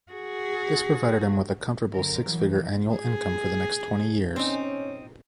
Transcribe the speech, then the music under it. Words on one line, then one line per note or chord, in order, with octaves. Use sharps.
This provided him with a comfortable six-figure annual income for the next twenty years.
F#4 G#4
F#2 D3 A#4
E3 F#3
G#4
C4 C#4 D#4